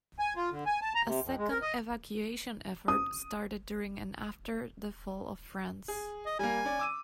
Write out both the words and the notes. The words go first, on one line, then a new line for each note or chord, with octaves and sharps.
A second evacuation effort started during and after the fall of France.
G#5
F4
D3
G#5
A5
A#5
C3
F2
G#3
A#4
D#5
D#6
G#4
D#5
G3 A#3 G#5
C#4 D5
D6 E6 D#7